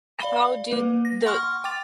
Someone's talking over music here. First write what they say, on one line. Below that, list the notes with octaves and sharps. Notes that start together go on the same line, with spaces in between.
how do the
D5 F5 B5 G7
A#3 B4
A#6
F#5 C6 C#6 F6
G5 D6 A6 F7